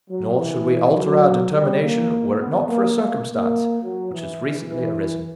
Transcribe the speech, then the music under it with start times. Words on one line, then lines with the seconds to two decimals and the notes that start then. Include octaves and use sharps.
Nor should we alter our determination were it not for a circumstance which has recently arisen.
0.10 F#3
0.38 E3
0.96 F#3
1.53 G3
1.82 A#3
2.39 B3
2.68 A#3
3.26 A#3
3.83 F#3
4.12 E3
4.69 E3